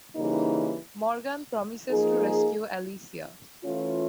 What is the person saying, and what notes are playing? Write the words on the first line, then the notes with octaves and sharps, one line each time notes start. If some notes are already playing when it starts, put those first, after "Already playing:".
Morgan promises to rescue Alicia.
C#3 E3 G3 A#3 D#4
F3 A#3 D#4 G#4
E3 A3 C#4 F4